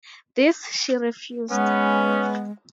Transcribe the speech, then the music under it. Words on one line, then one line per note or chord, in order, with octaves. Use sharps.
This she refused.
G#3 B3 C#4